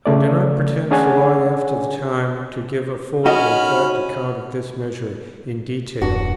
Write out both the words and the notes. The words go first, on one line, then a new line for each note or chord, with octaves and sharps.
I do not pretend, so long after the time, to give a full or exact account of this measure in detail.
C#3 A3 D5
C#4 D4 G#4 C#5 F#5 G#5
C#4 D#4 F#4 D#5 B5 F6
E1 G2 D4 F#4